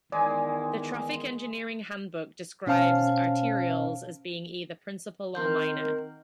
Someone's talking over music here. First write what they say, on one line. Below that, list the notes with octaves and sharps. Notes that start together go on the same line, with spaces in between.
The" Traffic Engineering Handbook "describes "Arterials" as being either principal or minor.
E2 D#3 G#3 D5 G#5
B2 C#4 C5 F5 A5 F6
D#3 C4 A#4 C6 G6